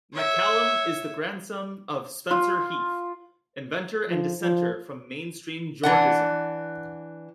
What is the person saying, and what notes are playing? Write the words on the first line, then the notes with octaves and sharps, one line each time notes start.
MacCallum is the grandson of Spencer Heath, inventor and dissenter from mainstream Georgism.
C#5 E5
F4
F3
F3
E3 D4 F#5